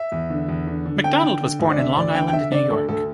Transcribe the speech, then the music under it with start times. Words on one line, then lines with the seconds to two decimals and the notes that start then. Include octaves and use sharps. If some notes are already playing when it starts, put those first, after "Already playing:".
McDonald was born in Long Island, New York.
Already playing: E5
0.12 E2
0.30 D3
0.48 E2
0.67 D3
0.86 D3
1.04 D3 G5
1.22 D3
1.41 D3
1.60 D2
1.70 D5
1.78 D3 E5
1.96 D2 D5
2.15 D3 G5
2.28 G5
2.33 D3 E5
2.52 D3 D5
2.70 D2 A4
2.88 D2 A4